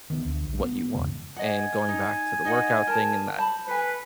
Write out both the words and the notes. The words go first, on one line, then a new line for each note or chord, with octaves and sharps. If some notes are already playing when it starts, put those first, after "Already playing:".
what you want, and going back to the workout thing, and that
D#3 B3
D2
A#1
A#3 B3
E2 G#2 C#3
D#5 F#5 G#5
D#4
D#4 D#5 F#5
A#4 A5
C5 A5 B5
A4 B4 G#5